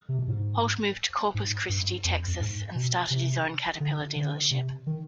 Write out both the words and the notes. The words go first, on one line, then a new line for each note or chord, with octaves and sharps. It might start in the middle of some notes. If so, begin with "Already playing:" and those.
Holt moved to Corpus Christi, Texas and started his own Caterpillar dealership.
C3
B2
G#2
G#2
G2
F2
F2
G#2
B2
C3
D3
D3
C3
D#3